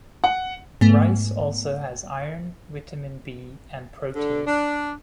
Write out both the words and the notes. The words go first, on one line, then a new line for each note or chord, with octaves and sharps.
Rice also has iron, vitamin B and protein.
F#5
G#2 A3 B3
D3
D4